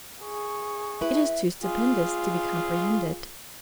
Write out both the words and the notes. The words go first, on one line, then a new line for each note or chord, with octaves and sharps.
It is too stupendous to be comprehended.
G#4 C#6
E4 B4 E5
F4 G#4